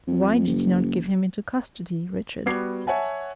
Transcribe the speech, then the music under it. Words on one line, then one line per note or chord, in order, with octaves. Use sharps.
"Why did you not give him into custody, Richard?"
F2
F#1
G3 B3 F#4 D6 G#6 C7
C#5 E5 F#5 G#5 A5